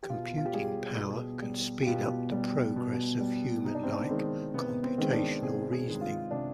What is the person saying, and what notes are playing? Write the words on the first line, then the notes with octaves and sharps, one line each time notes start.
Computing power can speed up the progress of human-like computational reasoning.
G4
B2 F4
F4
G4
G3 G#4
B2
G3
G4
B2 F4
G3
B2
G3
C3 D#4
D4
C4
D4
D#3 G#3 C4
C3 B3
C4
D#3 G#3 C4
D4
C3 G#4
G#4
D#3 G#3
F4
C3 D4